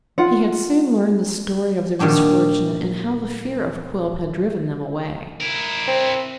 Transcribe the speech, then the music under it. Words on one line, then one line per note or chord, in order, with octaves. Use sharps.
He had soon learned the story of their misfortune and how the fear of Quilp had driven them away.
F4 F#5
A#2 D#3 G3 D4 F#4
E4 A#4
C4